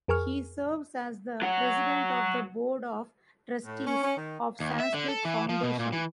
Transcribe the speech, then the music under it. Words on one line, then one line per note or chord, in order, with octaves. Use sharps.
He serves as the President of the Board of Trustees of Sanskriti Foundation.
F2 G#4 A#4 G#5 C#6 F6
F#3 F#4
A2
C#4
C#4
D#3
D#2
E5
D3
A4
E3
F3
B2
A#2
E3